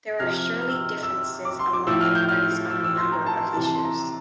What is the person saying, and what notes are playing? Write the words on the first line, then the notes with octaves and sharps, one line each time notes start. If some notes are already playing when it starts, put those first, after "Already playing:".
There are surely differences among the parties on a number of issues.
C3 F3 F6
F6
F6
E6
F6
E6
D6
C6
D6
A2 F3 E6
F6
G6
F6
E6
E6
C6
A#5
A5
C6
C3 E3 A5
A5
C6
A#5